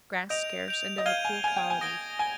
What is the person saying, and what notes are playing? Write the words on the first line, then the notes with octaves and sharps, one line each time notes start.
Grass scarce and of a poor quality.
D#5 G6 D7 F7
G6 D7 F7
D#5
F5 G#6 D#7 G7
G#5
G#5 G#6 D#7 G7
G5
G#5
D#6 A#6 D7 G7
G#5 D#6 A#6 D7 G7